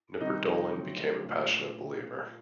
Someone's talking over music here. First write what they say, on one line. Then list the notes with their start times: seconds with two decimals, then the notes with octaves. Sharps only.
Knipperdolling became a passionate believer.
0.20 C3 D#3 G3 C4 D#4 D#5
0.72 D3 F#3 A3 C4
1.24 A#2 A3 D4